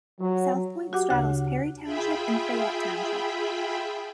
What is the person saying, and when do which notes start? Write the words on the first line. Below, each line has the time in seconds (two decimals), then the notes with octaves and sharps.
South Point straddles Perry Township and Fayette Township.
0.20 F#3
0.93 F#4 G4 F#5 D6
1.10 D2 C#3 F#5 F#6
1.83 F4 G#4 E5 G5 B5